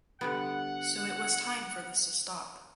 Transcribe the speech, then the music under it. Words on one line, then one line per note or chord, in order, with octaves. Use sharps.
So it was time for this to stop.
D3 G3 B3 F#5